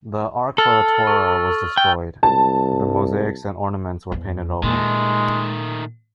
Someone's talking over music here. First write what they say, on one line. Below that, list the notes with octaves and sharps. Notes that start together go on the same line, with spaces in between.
The ark for the torah was destroyed; the mosaics and ornaments were painted over.
A4 E6 F6 A6
C#6
G5
C2 A5
E2 C4
A#2 D#3 G#3 A3